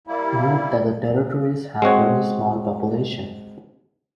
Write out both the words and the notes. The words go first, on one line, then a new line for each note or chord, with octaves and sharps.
Note that the territories have very small population.
G3 A#3 E4
G#3 C4 F#4 C#5